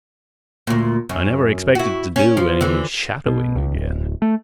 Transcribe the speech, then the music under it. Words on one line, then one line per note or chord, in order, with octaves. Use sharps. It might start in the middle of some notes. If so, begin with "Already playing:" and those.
I never expected to do any shadowing again.
D2 A#2
F#2
E4 F#4
C#4
F3
D3 E3
B2
C#2
D1
A3